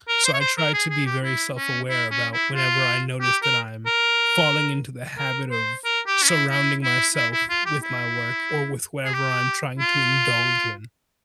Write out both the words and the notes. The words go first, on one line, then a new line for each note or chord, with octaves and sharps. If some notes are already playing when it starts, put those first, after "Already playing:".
So I tried to be very self-aware about whenever I noticed that I'm, falling into the habit of, surrounding myself with my work, or with whatever I'm trying to indulge in.
A#4
C5
C#5
C5
A#4
G#4
G#4
G4
E4
C#4
E4
C#4
E4
F4
G4
A#4
A#4
A#4
C5
A#4
G4
C#4
E4
E4
E4
E4
E4
F4
G4
E4
G#4
G4
F4